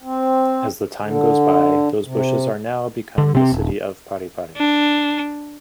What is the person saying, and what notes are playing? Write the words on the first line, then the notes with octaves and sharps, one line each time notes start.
As the time goes by, those bushes are now become the city of Parepare.
C4
D3
C3
D3
C3 C4
D#1
D4